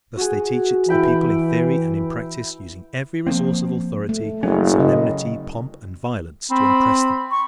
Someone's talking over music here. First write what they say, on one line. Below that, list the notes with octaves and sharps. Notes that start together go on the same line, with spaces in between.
Thus they teach it to the people in theory and in practice, using every resource of authority, solemnity, pomp, and violence to impress them.
F#4 G#4
E3 E4 G5 B5
F3 A#3 C4
A3
F#1 F#3 C#4
C#3 E4 D#5
C4 B5
C#6